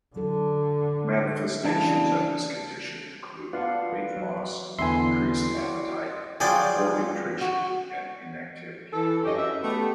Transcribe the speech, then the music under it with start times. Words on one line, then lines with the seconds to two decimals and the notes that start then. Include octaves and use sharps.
Manifestations of this condition include weight loss, decreased appetite, poor nutrition, and inactivity.
0.16 D3 F#3 A4
1.64 C#3 E3 D4
3.53 F4 B4 D5 F5 F#5 A5
4.16 F#3
4.79 E2 D3 B3 E4 E5 G#5 C6 C7
5.56 F#4 C#5 D5
6.40 F3 F#3 F4 G#4 D5 G5
7.41 F#4
8.92 E3 A4
9.23 F#2 C#3 C#4 D4 G4 D#5
9.35 F#2 E5
9.62 A3 B3 G4